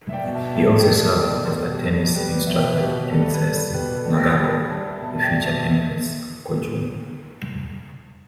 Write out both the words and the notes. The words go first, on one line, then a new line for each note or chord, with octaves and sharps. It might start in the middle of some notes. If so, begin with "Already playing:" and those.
He also served as a tennis instructor to Princess Nagako, the future Empress Kojun.
E5
D5 G5
B2
E5 A5
G3 E5 A5
G5
G3 E5 A5
A5
B2 D5 G5
G4
B2 A4
G4
G3 A4
D5
G3 G4 B4
B2 E5
G5
B4 E5
B2 G4
G3 A4
B4
G3 A4
B2 G4 B4
A4 D5
B2
D5 G5
G3 G5 B5
G3 A5
B5
E5 A5
B2 E5 A5
D5 G5
B2
E5 A5